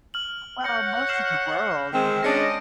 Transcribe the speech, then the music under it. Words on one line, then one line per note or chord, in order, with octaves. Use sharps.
Well, most of the world, I mean
F6 F#7
C#5 F#5 G6 A#6 C#7
F6 C7 E7
D#3 G#3 C4
G#3 C#4 D4 D#5 A#6 C#7 D7